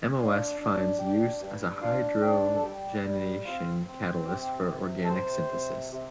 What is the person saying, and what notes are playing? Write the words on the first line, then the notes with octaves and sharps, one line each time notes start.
MoS finds use as a hydrogenation catalyst for organic synthesis.
D4 F4
D4
D4 G4
G2
D4 F4
D4 G4
A4
G3 G4
G3
C4 F4
C4
C3 G4
C3
A4
C3 C5
C3
C3